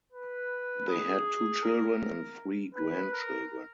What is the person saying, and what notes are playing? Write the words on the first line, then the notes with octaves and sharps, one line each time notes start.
They had two children and three grand children.
B4
G#4
A#4
B4
A#4